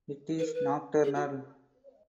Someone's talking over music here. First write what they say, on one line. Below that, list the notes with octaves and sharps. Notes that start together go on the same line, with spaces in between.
It is nocturnal.
B4
A#4
B4
G#4
F#4